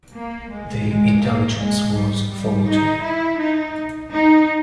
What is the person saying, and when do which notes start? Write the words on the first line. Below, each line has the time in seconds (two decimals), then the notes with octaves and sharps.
The intelligence was faulty.
0.14 A#3
0.51 G#3
0.88 G#3
1.23 A#3
1.60 G#3
1.95 G3
2.32 G3
2.68 D#4
3.04 E4
3.40 D#4
4.12 D#4